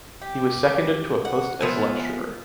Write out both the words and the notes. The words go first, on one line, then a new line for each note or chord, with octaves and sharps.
He was seconded to a post as lecturer.
G4
F#5
F3 B3 E5 G#5